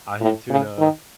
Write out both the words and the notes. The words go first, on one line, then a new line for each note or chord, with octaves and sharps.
ahi tuna,
A2
C#3
D#3